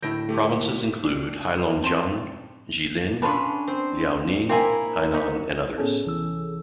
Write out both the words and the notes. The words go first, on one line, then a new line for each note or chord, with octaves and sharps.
Provinces include Heilongjiang, Jilin, Liaoning, Hainan, and others.
D2 A2 E4 G6 A#6 D7
A3 G4
D4
C4 A5 C6
C#4 D4 F4 A4 B4
C4 C5
A#3 C4 E4 E5 G#5
B3 D#4
A2 B3 C#4 G#4 A4
C2 E3 E6